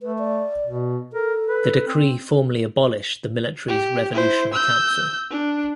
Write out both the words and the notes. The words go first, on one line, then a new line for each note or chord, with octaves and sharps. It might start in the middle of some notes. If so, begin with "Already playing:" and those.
The decree formally abolished the military's revolutionary council.
A3 B4
D5
B2
A4 A#4
B4
C4
G4
E4 C5
E6 G6
D4